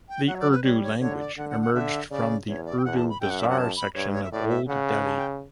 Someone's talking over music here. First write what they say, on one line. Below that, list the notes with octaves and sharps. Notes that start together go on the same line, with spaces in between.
The Urdu language emerged from the Urdu Bazaar section of Old Delhi.
G5
F#3 F#5
C#5
D5
B4
G3 C#5
C#5
D3 C#5
D5
D3 F#5
F#5
F#5
D3 E5
C#3 D5
E2 C#5
D5
G5
E2 F#5
A5
B5
F#2 G5
F#5
E5
F#5
A5
B5
G2 C#5
C#5
E5
A2 D5
E5
C#3 F#5
F#5
A5
G5